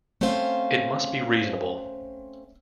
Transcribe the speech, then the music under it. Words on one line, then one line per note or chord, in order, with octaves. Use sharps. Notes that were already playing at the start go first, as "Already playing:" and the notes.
It must be reasonable.
A3 C4 C#4 C5 F5